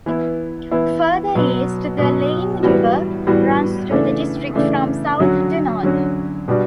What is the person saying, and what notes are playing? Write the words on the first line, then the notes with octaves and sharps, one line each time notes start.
Further east the Leine river runs through the district from south to north.
E3 B3 E4
E3 B3 E4
B2 F#3 B3
B2 F#3 B3
A2 E3 G3 B3 F#4
A2 E3 G3 B3 F#4
C#3 E3 A3 D4
C#3 E3 A3 D4
D3 F#3 C#4 F#4
D3 F#3 C#4 F#4
B2 G3 D4 F#4